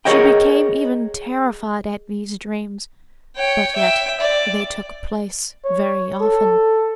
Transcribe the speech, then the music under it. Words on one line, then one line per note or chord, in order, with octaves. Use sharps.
She became even terrified at these dreams; but yet they took place very often.
G#4 A#4 C#5 D#5 G5
C#5 G5
E5 G5
D5
C#5
A4